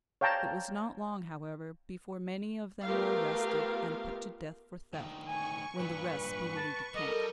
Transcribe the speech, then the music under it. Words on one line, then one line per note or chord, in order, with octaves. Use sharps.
It was not long, however, before many of them were arrested and put to death for theft, when the rest speedily decamped.
C#5 F5 G5 A5 A#5
A3 B3 F4 G4 A#4 F5
D2 D#3
G#5 C#6
G2 A#2 B4
A5
G3 A4 A#4 D#5